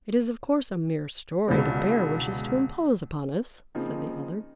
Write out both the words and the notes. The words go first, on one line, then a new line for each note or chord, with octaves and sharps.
"It is, of course, a mere story; the Bear wishes to impose upon us," said the other.
C#2 B2 D3 E3 G#3 B3
C#3 F3 A#3 C4 D#4